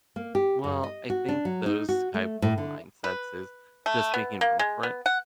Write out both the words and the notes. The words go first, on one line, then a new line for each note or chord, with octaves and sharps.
Well, I think those type of mindsets is just making room for it
A#3
G4
F#2
D#5
F#4
D4
F#3
D#4
F#4
A3
A2
D3
B4
A3
B3
A#3
G#3
B3
F#5